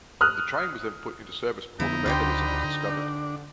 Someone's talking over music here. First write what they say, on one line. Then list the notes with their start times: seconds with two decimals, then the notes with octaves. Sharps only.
The train was then put into service before the vandalism was discovered.
0.21 D#6 F6 F#6
1.80 F2 D3 B3 D#4 E4
2.06 D2 D3 F4 G4 C5 B5
2.89 D4